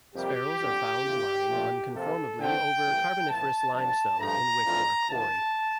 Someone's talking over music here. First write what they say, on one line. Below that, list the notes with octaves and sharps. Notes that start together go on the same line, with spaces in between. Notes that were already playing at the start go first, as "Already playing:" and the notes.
Spherules are found lying unconformably over Carboniferous limestone in Wickwar Quarry.
F2 C3 G3 A#3 G4
F2 D3 G3 C4
E2 D3 A3 D4 F4
A#2 F3 A3 D4 F4
C3 F3 A#3 A4
D3 A3 C4 G5
C2 C3 E3 A3
A#2 F3 C4 E4 A5
G2 F3 A#3 D4 A5
G2 F3 A3 A#5
F2 E3 A3 D4 F4
D2 D3 F3 A#3 E4 A5